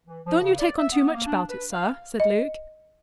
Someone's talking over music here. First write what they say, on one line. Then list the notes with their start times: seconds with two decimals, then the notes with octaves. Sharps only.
"Don't you take on too much bout it, sir," said Luke.
0.07 E3
0.25 F3
0.42 C#3
0.58 D5
0.77 E5
0.92 B3
1.14 A#3
1.26 D4
1.49 B4
1.72 F5
2.20 D#5